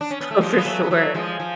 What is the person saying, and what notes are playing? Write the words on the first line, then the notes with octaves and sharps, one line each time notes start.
Oh, for sure.
D4
C#4
B3
A3
F3 G#3
B3
F#3 A3
B3
F#3 A3
F3 G#3
F3